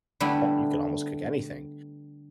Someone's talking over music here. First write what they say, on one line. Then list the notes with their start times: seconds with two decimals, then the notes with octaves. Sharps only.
you can al almost cook anything,
0.20 D3 G3 A3 B3 E4